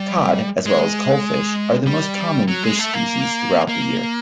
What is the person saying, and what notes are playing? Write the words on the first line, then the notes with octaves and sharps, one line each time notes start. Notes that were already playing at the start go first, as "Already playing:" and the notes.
Cod, as well as coalfish, are the most common fish species throughout the year.
Already playing: G3
G#3
G3
F#3
G#3
A3
A#3
A#3